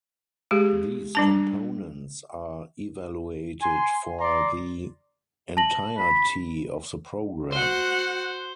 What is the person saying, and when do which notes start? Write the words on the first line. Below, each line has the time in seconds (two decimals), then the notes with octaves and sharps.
These components are evaluated for the entirety of the program.
0.51 G#3 G4 G#4
1.15 G3 D4 A5
3.62 G#5 C6
4.20 D5 A#5 C6
5.57 A5 A#6 F#7
5.98 B5
7.52 F#4 C5 F#5